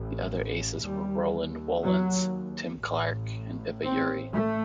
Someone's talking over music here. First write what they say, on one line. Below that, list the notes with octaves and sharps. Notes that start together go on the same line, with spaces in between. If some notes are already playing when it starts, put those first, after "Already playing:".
The other "Aces" were Roland Wollens, Tim Clark and Pippa Urry.
Already playing: A1 A2
D#2 G3
F#3
A1 A2
C4
A3